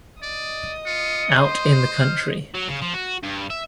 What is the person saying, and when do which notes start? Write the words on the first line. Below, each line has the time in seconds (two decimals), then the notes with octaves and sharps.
Out in the country.
0.23 D5 D#5 D#6
0.86 F4 C#7
1.37 C5 C6
1.99 F6
2.55 F#3
2.69 C#3
2.82 F3
2.94 F#4
3.23 G2
3.50 E5